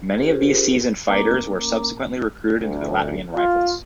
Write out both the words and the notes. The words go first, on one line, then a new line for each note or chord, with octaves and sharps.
Many of these seasoned fighters were subsequently recruited into the Latvian Rifles.
C#4 F4 G4 G#4 A#4 C5
A#3 C#4 A#4 A#5 D6
D2
F4